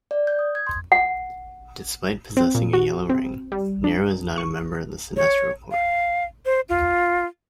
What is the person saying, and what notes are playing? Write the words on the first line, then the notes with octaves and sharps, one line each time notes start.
Despite possessing a yellow ring, Nero is not a member of the Sinestro Corps.
D5
G6
D#6
G#6
C6
F#5
C4
A#2
F#4
C4
G3
D4
C#6
C#5
F5
C5
F4